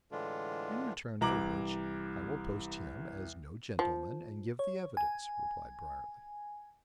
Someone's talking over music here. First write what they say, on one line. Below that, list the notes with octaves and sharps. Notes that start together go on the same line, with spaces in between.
"In return for which I will post him as no gentleman, and give the evidence," replied Briarly.
A2 D3 E3 G#3 D4 F4
C2 E3 A#5 D6 F#7
F3
C#5
G#5